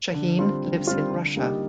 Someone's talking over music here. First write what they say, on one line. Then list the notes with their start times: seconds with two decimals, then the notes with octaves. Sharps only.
Shaheen lives in Russia.
0.14 D3
0.39 G3 C4 F4
0.63 D3
0.87 G3 C4 F4
1.11 D3
1.36 G3 A#3 D#4 G4